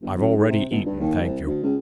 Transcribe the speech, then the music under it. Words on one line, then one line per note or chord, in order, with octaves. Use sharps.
"I've already eaten, thank you."
G1
F#2
G#2
C3
G1
G2
D#2
C2
D2
C#2